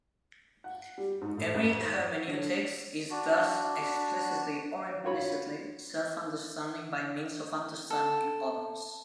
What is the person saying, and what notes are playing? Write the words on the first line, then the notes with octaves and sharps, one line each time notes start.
Every hermeneutics is thus, explicitly or implicitly, self-understanding by means of understanding others.
F#5
G3
G#2
A2
A1
G#1
D5
C#5
D3
D4 F#4
F4 F#4 C#5 B5
A4